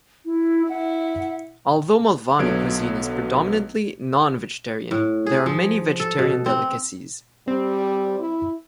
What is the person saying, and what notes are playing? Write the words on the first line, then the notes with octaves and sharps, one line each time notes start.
Although Malvani cuisine is predominantly non-vegetarian, there are many vegetarian delicacies.
E4
E4 F#5
B1 D3 F#3 B3 G#6 D7
A2
G#4
F3
A4
B2
C4
G3 C4
E4